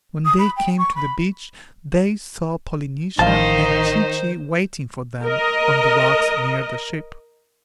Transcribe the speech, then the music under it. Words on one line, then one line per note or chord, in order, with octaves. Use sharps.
When they came to the beach they saw Polynesia and Chee-Chee waiting for them on the rocks near the ship.
D#6
B5
G5
C#6
B5
A1 D#3 F3 D#4 C5 F5 A5
A#4 D#5